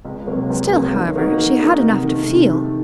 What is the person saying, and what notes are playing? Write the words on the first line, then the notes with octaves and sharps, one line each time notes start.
Still, however, she had enough to feel!
C#2
C3 F#3 A#3
C#2
C3 F#3 A#3
D#3
A#3 D#4 F#4 A#4
D#3
A#3 D#4 F#4 A#4
C3
D#3
A3
C3
D#3 A3